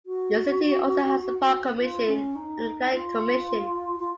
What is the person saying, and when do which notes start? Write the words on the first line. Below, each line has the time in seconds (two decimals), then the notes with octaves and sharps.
The city also has a park commission and a planning commission.
0.06 F#4
1.79 F4
2.07 C#4
2.35 D#4
2.93 F4
4.00 F4